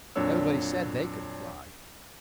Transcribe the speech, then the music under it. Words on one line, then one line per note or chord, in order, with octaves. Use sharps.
Everybody said they could fly.
F2 A#2 F#3 D4 C#5 E6